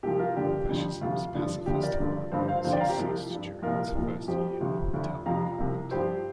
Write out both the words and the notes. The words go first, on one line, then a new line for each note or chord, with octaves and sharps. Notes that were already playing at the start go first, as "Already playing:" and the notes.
Fascism's pacifist foreign policy ceased during its first year of Italian government.
C2 C3 F3 G4
F4 A#4
G2 D3 F3 G4
F2 D3 F3
D2 C3 F3 F4
G2 D3 F3
D2 D3 F3 G4
A#4 D5
G2 D3 F3
G2 D3 F3 C5 F5
C5 F5
F2 D3 F3 C5 F5
D5 G5
F5 A#5
G4
C2 C3 F3
G2 F3
C2 A#2 F3 F4 A#4
C2 A#2 F3
F2 F3 G4 C5
D2 C3 F3
D2 D3 F3
F2 C3 F3 F5 A#5
C2 C3 F3
G2 F3 G4 C5